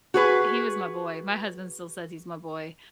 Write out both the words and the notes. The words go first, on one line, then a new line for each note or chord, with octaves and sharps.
eh, he was my boy, my husband still says "He's my boy,"
F#4 G#4 B4